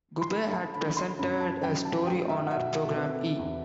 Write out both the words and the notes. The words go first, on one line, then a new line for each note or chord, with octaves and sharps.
Gubbay had presented a story on her program E!
C6
A3 B5
B5
A5
D3 B5
C6
F#2 B5
A5
F#2 G5
A5
A3 G5
E5
F#5
B2 E5
A4
C4 B4
E2